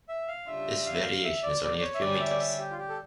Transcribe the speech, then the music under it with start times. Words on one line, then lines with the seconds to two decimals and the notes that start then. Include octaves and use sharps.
This variation is only a few meters.
0.09 E5
0.28 F5
0.47 C#3 G3 D4 F4 E5
0.85 F5
0.94 E5
1.02 F5
1.24 E5
1.43 D5
1.63 D5
1.77 D5
1.81 C#5
1.95 E5
2.01 D3 G3 C#4 D5
2.20 E5
2.30 D5
2.39 E5
2.58 G4
2.71 F4
2.78 G4
2.89 A4